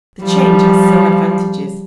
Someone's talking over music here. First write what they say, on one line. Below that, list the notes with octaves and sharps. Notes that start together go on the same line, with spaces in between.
The change has some advantages.
F3 G3